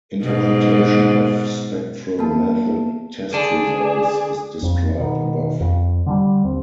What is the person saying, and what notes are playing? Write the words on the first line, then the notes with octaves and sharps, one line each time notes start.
Interpretation of Spectral Method test results is described above.
G#2 B2
A#3 B3 A5
D3 D4 G#4
F2
B2 D#3
F2
D3 F3 G3
D#2 C4